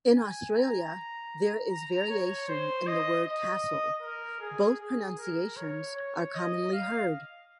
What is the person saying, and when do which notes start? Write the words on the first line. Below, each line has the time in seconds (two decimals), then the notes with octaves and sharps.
In Australia there is variation in the word "castle", both pronunciations are commonly heard.
0.17 G#5
0.56 A#5
1.71 A#5
2.09 C#5
2.48 C5
2.87 D#5
3.25 D#5
4.02 A#4
4.40 G#4
4.80 G#4
5.18 A#4
5.57 C#5
5.96 C#5
6.34 D#5
6.73 F5